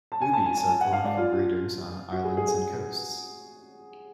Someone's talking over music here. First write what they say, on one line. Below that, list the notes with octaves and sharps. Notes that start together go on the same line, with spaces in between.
Boobies are colonial breeders on islands and coasts.
A5
G#5
A5
G#5
G#5
G#5
F#5
F5
D5
F4
F#4
G#4
G#4
G#4